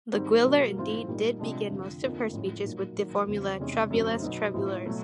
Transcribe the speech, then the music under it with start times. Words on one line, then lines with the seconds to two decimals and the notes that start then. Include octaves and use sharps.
Laguiller indeed did begin most of her speeches with the formula, "Travailleuses, travailleurs!".
0.13 G#2 D#3 G3 C4
0.45 B2 F#3 A#3
0.76 G#2 E3 A3 C4 F4
1.07 A#2 G3 A#3 D#4
1.39 C3 F3 G#3 B3 D4
1.71 F2 D3 F3
2.02 F2 D3 F3 A#3 D#4
2.33 A2 F3 G#3 C#4
2.65 A#2 F#3 A#3 D#4
2.96 G#2 D#3 F#3 A#3
3.27 E2 C#3 F3 G#3 C4
3.59 E2 C3 D#3 G#3 C#4
3.90 F#2 D3 F#3 A3 C4
4.22 B2 F#3 B3 D#4
4.54 A2 F3 G#3 C4 E4
4.86 B2 F#3 A3